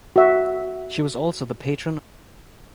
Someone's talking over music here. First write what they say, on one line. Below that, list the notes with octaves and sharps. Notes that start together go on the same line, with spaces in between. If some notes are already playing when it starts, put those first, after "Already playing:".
She was also the patron of the Women's Institute of Negeri Sembilan.
F#4 E5